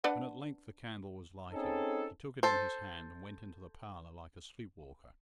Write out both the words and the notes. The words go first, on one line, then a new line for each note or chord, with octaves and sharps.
When at length the candle was lighted, he took it in his hand and went into the parlour like a sleepwalker.
D4 B4 F#5
C4 C#4 D#4 G#4 A4
A4 C5